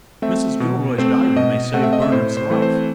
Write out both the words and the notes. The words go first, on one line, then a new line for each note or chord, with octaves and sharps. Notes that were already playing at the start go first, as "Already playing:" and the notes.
Mrs. Gilroy's diary may save Bernard's life.
A3 C4 E5
B2
A3 C4 C5
B2 D#5
A3 C4 F#5
E5
D#5
E5
A2 C5
C5
E3 A3 C4
C5